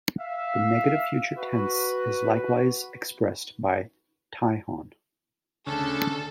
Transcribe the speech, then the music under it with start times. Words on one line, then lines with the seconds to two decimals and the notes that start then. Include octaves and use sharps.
The negative future tense is likewise expressed by "tihon".
0.19 E5 F5
1.37 F#4 B4
5.66 D2 C#3 A4